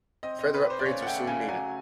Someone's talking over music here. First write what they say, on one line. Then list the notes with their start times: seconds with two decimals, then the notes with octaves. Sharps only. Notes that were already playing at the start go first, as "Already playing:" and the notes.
Further upgrades were soon needed.
0.23 C4 D#5
0.39 C4 D#5
0.54 B4
0.65 G4
0.70 C5
0.79 D5
0.85 C#3 C#5
1.02 F#5
1.06 A3 G5
1.27 C#3 G#5
1.48 F#3 G#5